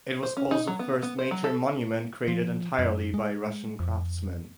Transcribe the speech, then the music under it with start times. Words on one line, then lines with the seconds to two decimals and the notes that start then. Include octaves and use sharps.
It was also first major monument created entirely by Russian craftsmen.
0.23 C5
0.37 C#4
0.51 D#4
0.68 F#3
0.79 B3
1.03 B3
1.19 C5
1.31 F#3
1.44 A4
2.28 F3
2.79 F#2
3.14 G#3
3.80 F2